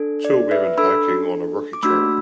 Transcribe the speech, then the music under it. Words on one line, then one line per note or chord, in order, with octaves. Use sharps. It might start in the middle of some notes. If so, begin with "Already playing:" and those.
Two women hiking on a rocky trail.
Already playing: D4 A4
D5
B4 E5
D4 A4 B5 E6
D6
A3 D4 F#4 B5 E6